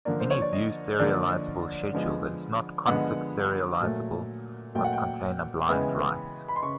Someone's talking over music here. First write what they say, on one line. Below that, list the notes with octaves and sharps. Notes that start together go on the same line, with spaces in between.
Any view serializable schedule that is not conflict serializable must contain a blind write.
D3 F3 A#3 D5
C5
C#5
D5
D#5
D3 F3 A#3 D5
D3 F3 G#3 B3
D3 F3 G#3 B3 F#5
A#2 F#3 A3
A#2 F#3 A3 G5
F#5
G5
C#3 E3 G#3 B3
B5
C6
C#3 C#6